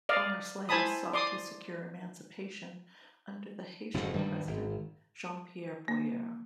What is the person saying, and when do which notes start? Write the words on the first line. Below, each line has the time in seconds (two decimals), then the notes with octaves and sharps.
Former slaves sought to secure emancipation under the Haitian President Jean-Pierre Boyer.
0.09 D5 D#5 F5
0.69 E4 C5 G#5 A5 B5 D#6
1.13 D5 C6 D6 D#6
3.94 F#1 F#2 A2
4.14 G2 D#3 E3 G3
4.47 G#1
5.88 A#3